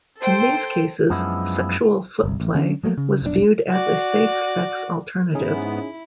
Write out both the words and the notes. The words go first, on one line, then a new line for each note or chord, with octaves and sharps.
In these cases, sexual foot play was viewed as a safe-sex alternative.
A4 C5 G5
F#2 F3 G#3 B3 D4 E4
G1 C2
A1
D3 C#4 D4
F3 F#3 A3 A#3
C#3
F1 B1 G#2 D4
F#4 D5
G#2 B3 C#4 D#4 E4 G#4